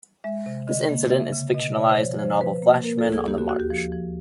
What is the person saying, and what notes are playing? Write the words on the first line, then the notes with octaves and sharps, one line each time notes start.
This incident is fictionalized in the novel "Flashman on the March".
G#3 E5
C3
D3 D#5
A#3
C#3 E5
C#3
B2 D#5
B2 D5
C5
F3 C#5
F3 C5
C5
F3 B4
A#3
A#3 A#4
A4
D2
G#4
A#3 G4
F#4
D#2 F#4
G4
F3
F3